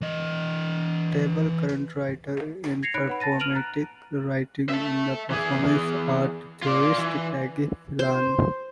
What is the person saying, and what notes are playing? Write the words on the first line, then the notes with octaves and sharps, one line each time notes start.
A notable current writer in performative writing is the performance art theorist Peggy Phelan.
E3 D#5
G#6 A#6 C7 C#7 F7
D#4 C#5 B5 F#6 C#7 D7
B4 F#5 B5
A5 A6 A#6 D#7
F6 D7 D#7 F7 F#7
A#5 F#6
E5 A5
E3 G#4
F4 D5
E3
C5